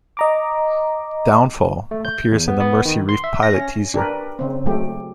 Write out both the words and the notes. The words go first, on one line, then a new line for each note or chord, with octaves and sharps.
"Downfall" appears in the "Mercy Reef" pilot teaser.
D#5 A#5 D6
A3
G6
E2
B3
B3
D#3
C6
E5
A#6
C#4
D4 G4 A#4 B4
C#3 C4
F#3 G#3 A3 G4